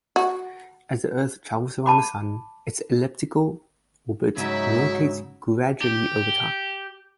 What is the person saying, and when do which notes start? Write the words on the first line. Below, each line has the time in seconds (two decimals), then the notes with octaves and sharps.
As the Earth travels around the Sun, its elliptical orbit rotates gradually over time.
0.16 F#4
1.86 A5 B5 D6
4.37 G#2 C#3 F#3 D#4 E4 F#4 E5
5.82 G4